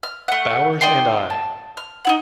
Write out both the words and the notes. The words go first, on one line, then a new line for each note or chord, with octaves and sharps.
Bowers and I.
F6
A3 F#5
D#4 D5 G5 C6
A5
F6
D#4 E4 F#5